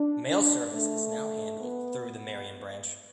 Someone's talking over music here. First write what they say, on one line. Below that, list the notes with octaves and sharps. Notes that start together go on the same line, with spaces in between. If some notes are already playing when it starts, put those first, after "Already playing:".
Mail service is now handled through the Marion branch.
Already playing: D4
D4
A3
B3